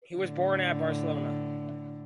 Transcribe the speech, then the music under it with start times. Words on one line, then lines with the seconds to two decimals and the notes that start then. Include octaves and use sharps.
He was born at Barcelona.
0.16 A2 D3